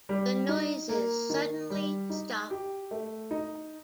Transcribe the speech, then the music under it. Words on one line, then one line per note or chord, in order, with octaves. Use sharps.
The noises suddenly stop.
G3
D#4
A#3
D#3
G3
D#4
G4
A3
D#4